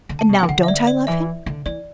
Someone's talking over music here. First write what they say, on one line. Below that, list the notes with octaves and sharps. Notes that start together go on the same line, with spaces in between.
And now don't I love him?
D3
A5
B2
E3 G5
D3 F#5
E5
D5
D5
E3 E5
D3
E3 D5